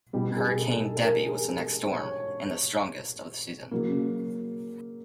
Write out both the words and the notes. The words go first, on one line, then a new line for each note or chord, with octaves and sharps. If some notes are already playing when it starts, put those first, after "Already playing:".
Hurricane Debby was the next storm and the strongest of the season.
B2 G3 B3 G4
G#4
A4
A4
A#4
G#4
A4
C#5
C#3 F#3 A#3